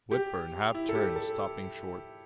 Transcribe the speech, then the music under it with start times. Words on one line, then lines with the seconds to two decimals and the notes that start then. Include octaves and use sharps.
Whitburn half-turned, stopping short.
0.11 G4
0.74 E4
0.89 A4
0.95 G4
1.16 A4